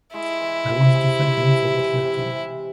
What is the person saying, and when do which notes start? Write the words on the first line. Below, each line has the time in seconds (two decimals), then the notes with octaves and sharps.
I wanted to thank him for what he had done.
0.13 G#3 E4
0.40 E3
0.68 C3
0.94 G#3
1.22 C3
1.50 E3
1.77 E3
2.03 C3
2.30 C3